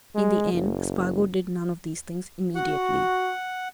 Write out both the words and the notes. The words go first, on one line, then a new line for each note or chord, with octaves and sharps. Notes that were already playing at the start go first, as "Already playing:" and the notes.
In the end Spargo did none of these things immediately.
G#3
F#1
F#4 F#5